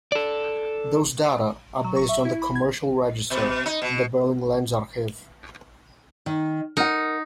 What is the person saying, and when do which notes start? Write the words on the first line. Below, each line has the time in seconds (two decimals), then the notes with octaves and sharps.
Those data are based on the commercial register in the Berlin Landesarchiv.
0.12 A4 D5
1.84 F#3
1.96 C#6
2.09 E5
2.25 E4
2.42 B5
2.55 G#6
3.30 B2
3.66 D#4
3.82 B2
6.26 D#3
6.77 D#4 A#4 F#5